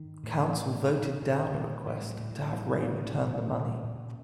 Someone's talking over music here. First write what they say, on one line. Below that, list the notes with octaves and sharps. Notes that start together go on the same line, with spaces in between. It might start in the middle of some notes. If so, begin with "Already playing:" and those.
Council voted down a request to have Rae return the money.
Already playing: D#3
A2
A#2
A#2
A#2
A#2
A2 E3
G3
F#3
A2
F#3
A2 G3
G#3
A2
C#4
A#2
A#2
A#2